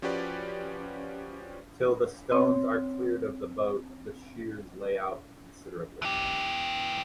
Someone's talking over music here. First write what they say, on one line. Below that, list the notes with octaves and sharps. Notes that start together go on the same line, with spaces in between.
Till the stones are cleared of the boat, the shears lay out considerably.
F3 C#4 F#4 G4 B4 D5
C4 C#5
E3 G4